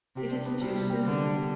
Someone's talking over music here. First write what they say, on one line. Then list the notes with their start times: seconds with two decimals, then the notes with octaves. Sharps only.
It is too soon.
0.16 C3 G4
0.31 D4
0.46 B3
0.60 C3 G3
0.75 G3
0.90 G3
1.05 D3 B3
1.21 D4
1.34 G4